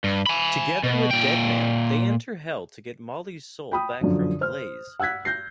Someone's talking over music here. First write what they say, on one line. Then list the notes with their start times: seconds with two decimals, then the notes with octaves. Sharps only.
Together with Deadman, they enter Hell to get Molly's soul back from Blaze.
0.04 G2
0.26 G#5 B5
0.83 B2
1.11 A#2 G5
3.72 G5 B5 D#6
4.01 F#2 D3 F3
4.41 C5 F6
5.00 F#5 E6 F#6 G#6 B6
5.25 G6 A#6 C7